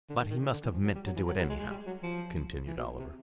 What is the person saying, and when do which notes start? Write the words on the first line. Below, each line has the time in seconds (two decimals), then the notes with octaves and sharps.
"But he must have meant to do it anyhow," continued Oliver.
0.10 D3
0.20 D#3
0.31 D#3
0.42 D3
0.52 D3
0.63 E3
0.73 F3
0.84 F#3
0.95 G3
1.06 F#3
1.16 E3
1.28 F#3
1.38 F#3
1.49 G#3
1.60 G#3
1.70 G3
1.87 F#3
2.03 F3
2.67 E3
2.77 B2
2.99 C3